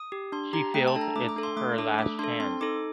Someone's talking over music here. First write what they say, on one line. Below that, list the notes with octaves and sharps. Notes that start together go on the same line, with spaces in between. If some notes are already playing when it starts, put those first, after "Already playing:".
She feels it's her last chance.
Already playing: D#6
G4
D4 C6
G4 A#5
A3 G5
A5
D4 A4
A#5
A3 D6
D6
D4 A4
C6
A3 D6
D4 A4 D6
A3 D6
D4 A4 C6
C4 C6
D#4 A4 D6